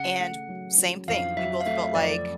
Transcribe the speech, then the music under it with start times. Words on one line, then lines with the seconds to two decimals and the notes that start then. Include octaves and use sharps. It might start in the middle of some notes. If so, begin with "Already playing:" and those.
And same thing, we both felt like
Already playing: C#3 F#5
0.19 A3
0.49 F#3
0.78 F#3
1.08 F2 F5
1.37 F#3 E5
1.60 F5
1.66 A3 E5
1.95 F2 D5